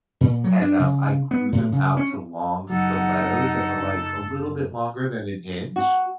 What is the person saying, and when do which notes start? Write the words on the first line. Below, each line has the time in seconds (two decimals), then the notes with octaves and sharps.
And, um, I grew them out to long stilettos that were like a little bit longer than an inch.
0.21 A#2
0.44 F#3
0.62 D4
0.79 C#3
1.31 B3
1.52 A2
1.72 C#3
1.97 C#4
2.70 F#1 F#3 D#4 A4 F#5
5.76 F#4